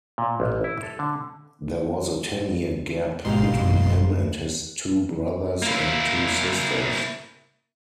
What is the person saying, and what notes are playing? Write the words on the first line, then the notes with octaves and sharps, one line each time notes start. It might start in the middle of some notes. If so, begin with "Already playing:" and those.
There was a ten-year gap between him and his two brothers and two sisters.
A#2
A1
E4
A4
D3
G#1 G#2 B2 G4 F5 C6
F#2
A#3 E4